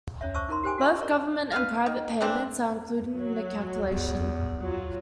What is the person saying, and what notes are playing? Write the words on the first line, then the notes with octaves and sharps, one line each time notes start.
Both government and private payments are included in the calculation.
C#4 C#5 E5
C5 E5 A5 C#6 D6 E6
D#4 E4 A#4 A#5 C6
G4 A#4 C5 G5 G#5 D6
F#4 A4 E5 C#6
A#4 D5
B4 F5
D#3
E3 A#3 C4 D4
F#3
E2
F#3 F4